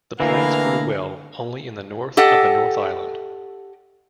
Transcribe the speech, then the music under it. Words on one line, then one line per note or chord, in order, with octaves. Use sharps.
The plants grew well only in the north of the North Island.
D2 D3 E3 A#3 E4 F5 A#5
G4 A4 D#5 F#5